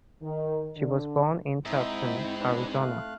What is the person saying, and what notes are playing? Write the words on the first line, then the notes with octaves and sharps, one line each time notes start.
She was born in Tucson, Arizona.
D#3
D3
G#2 C4 D#4 E4 E5 D#6
D4 B4
A3 F5 F#6